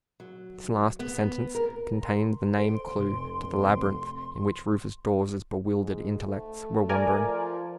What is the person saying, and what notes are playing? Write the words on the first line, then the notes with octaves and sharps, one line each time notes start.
This last sentence contained the name-clue to the labyrinth in which Rufus Dawes's bewildered intellects were wandering.
F#3
B3
A#4
A#5 C6
A4 C5 C6 D7
F1
G#2
A3
A#4 D5 G#5
F3